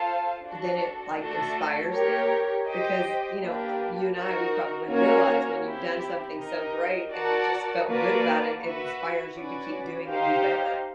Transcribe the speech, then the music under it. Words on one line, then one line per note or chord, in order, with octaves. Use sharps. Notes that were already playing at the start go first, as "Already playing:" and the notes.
eh, then it, like, inspires them because, you know, uh you and I, we probably realize when you've done something so great and you just felt good about it. It inspires you to keep doing and do better,
Already playing: F4 A4 C5 F5 A5
D4 F#4 A4
A3 D4 F#4 A4
G4 A#4 C#5
G4 C5 D#5 G5
A#3 D4 G4 B4
D#4 F#4 A#4
A#3 C#4 F#4 A#4 C#5
C4 E4 G4
D#4 G4 A#4 D#5
F#4 A#4 D5 F#5 A5
A#3 D4 F#4 B4 D5
F#4 B4 E5
C#4 F#4 B4 D5
D#4 G4 C5 F5